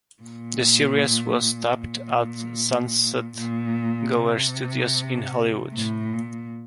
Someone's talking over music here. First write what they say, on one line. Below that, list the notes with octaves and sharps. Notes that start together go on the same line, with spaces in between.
The series was taped at Sunset-Gower Studios in Hollywood.
A#2
A#2
A#2
C3
A2
A#2